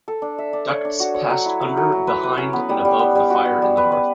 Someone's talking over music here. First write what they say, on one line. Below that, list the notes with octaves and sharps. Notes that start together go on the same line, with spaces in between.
Ducts passed under, behind, and above the fire in the hearth.
A4
D4
E5
D4
C#5
D4
F#4
C#5
F#3
E4
F#3
F#3
F#3
B4
B4
C#4
B3
G3
G3
B3
G3
F#4
B3
G3
B4
B4